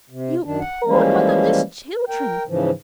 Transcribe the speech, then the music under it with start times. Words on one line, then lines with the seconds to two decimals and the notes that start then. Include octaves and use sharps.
'You poor motherless children!
0.10 C3
0.44 F#2 D#3 D4
0.60 F#5
0.86 E3 F3 G3 G#3 A#3 C#4
2.09 A#4 G5
2.47 G#2 C#3 E3 F3